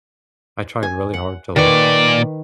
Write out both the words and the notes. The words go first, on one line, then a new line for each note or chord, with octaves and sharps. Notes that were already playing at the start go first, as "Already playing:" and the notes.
I tried really hard to, like
G#5
F#5
A#2 D#3 B4 D5 C#6